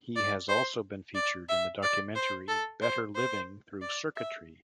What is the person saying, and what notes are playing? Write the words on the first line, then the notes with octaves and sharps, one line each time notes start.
He has also been featured in the documentary Better Living Through Circuitry.
D5
C5
D5
E5
D5
C5
A4
C5
C5
D5
E5